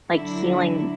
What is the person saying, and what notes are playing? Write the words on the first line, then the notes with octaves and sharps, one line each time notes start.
like healing
D3 F#3 D4 E4